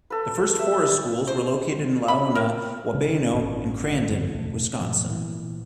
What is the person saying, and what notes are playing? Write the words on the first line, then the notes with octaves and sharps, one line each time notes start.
The first forest schools were located in Laona, Wabeno and Crandon, Wisconsin.
A4 B4
E5
C5
B5
A#4
C#3
A1 G2 C#4
F#2 D3
E2 B2 A3
G#2 B2 F3 A3
A#2 E3